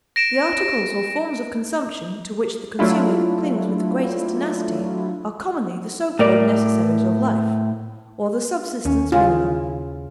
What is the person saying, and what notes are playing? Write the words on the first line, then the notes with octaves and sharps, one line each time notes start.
The articles or forms of consumption to which the consumer clings with the greatest tenacity are commonly the so-called necessaries of life, or the subsistence minimum.
A#6 D7 E7
F#3 A3 D4 E4 F4
A2 A#4 D5
D#2 C#4
C#3 E4 F4 G#5